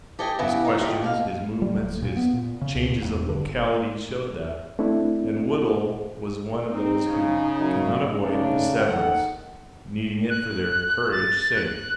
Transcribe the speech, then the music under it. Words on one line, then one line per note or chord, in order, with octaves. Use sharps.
His questions, his movements, his changes of locality showed that; and Woodhull was one of those who cannot avoid asseverance, needing it for their courage sake.
G4 A4 D#5 G5 G#5
C#3 B3 E4 G4 E5
D#4 F4
D3 D#3 F4 G4
D#2 B2 F5
G3
D1
A#2
B3
A#2
C#3
C#2
A#2
E1
D3
G1
A#2
A3 C4 D4 E4
C4 D#4
C#3
F#2
C#3 A3 D4 D#4
D#3 A4 F#5
F#6
A6
F#6